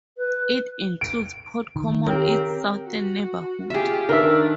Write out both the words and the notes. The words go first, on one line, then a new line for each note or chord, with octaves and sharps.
It includes Pot Common its southern neighbourhood.
B4
D7
D#3
C#3 C4 G4 A#4
F#4
F4 G4 G#4 E5
D#3 D4 A#4 E5